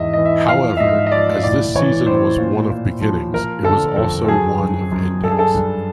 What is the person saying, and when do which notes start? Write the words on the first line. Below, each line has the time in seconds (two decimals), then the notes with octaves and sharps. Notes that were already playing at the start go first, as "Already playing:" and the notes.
However, as this season was one of beginnings, it was also one of endings.
Already playing: E2 G#2 E3 D#5 E5
0.13 E3 D#5
0.25 E5
0.49 F3 F5
0.77 E5
0.80 G#2 D#5
1.06 D#5
1.12 F3 D5
1.43 A2 D5
1.75 E3 C#5
2.06 A2 C5
2.38 A#2
2.70 A#2
3.01 F3
3.33 F3 A#4
3.65 D3 A4
3.96 F2 A4
4.25 A4
4.28 F#3 G#4
4.59 F#2
4.91 F#2
5.23 G2 A4
5.31 G#4
5.39 A4
5.54 G2